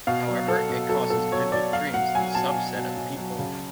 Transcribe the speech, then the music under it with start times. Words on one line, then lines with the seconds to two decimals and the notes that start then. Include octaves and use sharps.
However it causes vivid dreams in subset of people.
0.07 B2 F5
0.28 F#3
0.48 B2 A4
0.70 B2
0.89 F#3 A4
1.10 B2 A4
1.32 F#3 C#5
1.52 B2 D5
1.73 F#3 F5
1.94 B2 F#5
2.15 F#3 G#5
2.35 B2 A5
2.55 B2
2.77 B2
2.97 B2
3.18 F#3
3.39 C#3